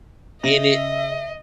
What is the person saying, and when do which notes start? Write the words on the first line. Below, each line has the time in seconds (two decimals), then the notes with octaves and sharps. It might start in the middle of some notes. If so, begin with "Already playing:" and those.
in it
0.44 C#3 D#5 E5 A#6